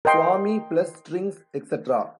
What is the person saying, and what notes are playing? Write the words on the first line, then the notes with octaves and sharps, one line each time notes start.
Swami - Plus Strings, Etc.
A#4 D#5 G5 C6